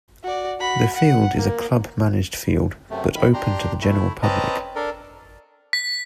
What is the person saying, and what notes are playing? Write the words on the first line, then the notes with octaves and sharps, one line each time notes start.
The field is a club managed field, but open to the general public.
F#4 D5
F#4 B5
F#5
A#3
F#2 C3 A3
F2 D#3 B5
D4 G4 A#5 C6
A3 E4
C4 C#4 B4 D#5 A5 A#5
D4 A4 A#4
B6